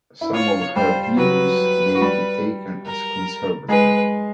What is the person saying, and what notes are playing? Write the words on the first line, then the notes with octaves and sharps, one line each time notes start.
Some of her views may be taken as conservative.
E4
F4 C#5
G3 G4 C5
F#3 F#4 B4
F#4
G3 G4
A#4
G#3 G#4 B4